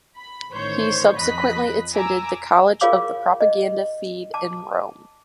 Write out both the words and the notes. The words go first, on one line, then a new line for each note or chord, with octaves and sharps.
He subsequently attended the College of the Propaganda Fide in Rome.
B5
A1 D#3 C5 C#5 G6
F2 F3 D#5 B5 F#6 B6
G#5 A#5 D6 E6
F4 G#4 A#4 C#5 F5 D6
D#5
A5 D6